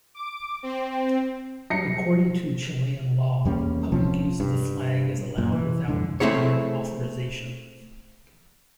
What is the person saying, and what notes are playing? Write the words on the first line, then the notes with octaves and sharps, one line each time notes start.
According to Chilean law, public use of the flag is allowed without prior authorization.
D6
C4
F#3 G3 A#6 C7 C#7
E2 G3 A#3 C#4
D1 F3 C4 C#4
G2
F#2 A#2
E3
F2 G#2 D3
A3 C4 E4 G#4 C#5